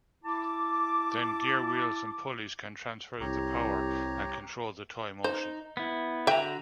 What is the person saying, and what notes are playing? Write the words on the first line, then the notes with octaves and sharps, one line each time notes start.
Then gear wheels and pulleys can transfer the power and control the toy motion.
E4 A5 D6
C2 G4 C#5 A#5
D#4 C5
B3 E4
D3 F#4 E5 G5 A#5